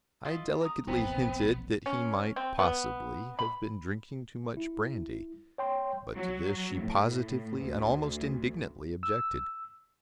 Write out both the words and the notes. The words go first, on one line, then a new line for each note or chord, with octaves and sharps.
I delicately hinted that he might, possibly, have been drinking too much brandy; but to this she positively and almost indignantly objected.
E4 F4 D#5
A#5 D#6
E1 A#1 B3 C4 A#5
C#4
C4
B3
B5
E4
C#5 G5 C6
F#3
A2
D2
E6